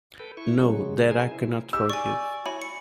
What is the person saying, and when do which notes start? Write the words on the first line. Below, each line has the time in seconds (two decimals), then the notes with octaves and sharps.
No, that I cannot forgive.
0.19 A4 B4 G5
0.37 E4 C#6
0.61 C#3 F#3 G#3
1.11 G#4 A#4 C5 G#5
1.31 E4
1.73 D#4 G4 G#4 E6
1.90 D5 G#5 C#6
2.46 E4 F#4 C#5 G#5 B5
2.62 C#7